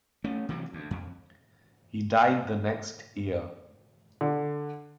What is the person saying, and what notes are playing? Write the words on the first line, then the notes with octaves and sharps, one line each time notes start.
He died the next year.
A3 C#4
C3 E3 F#3
D2
F2
D3